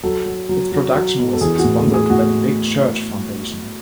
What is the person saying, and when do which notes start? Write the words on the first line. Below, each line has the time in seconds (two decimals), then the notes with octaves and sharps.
Its production was sponsored by the Big Church Foundation.
0.03 F#3 A4
0.26 F#3
0.49 F#3
0.72 F#3
0.95 F#3
1.18 B2
1.33 A4
1.41 E3 G#4
1.59 F#4
1.64 A2
1.76 A4
1.87 A2
1.93 G#4
2.10 A2 F#4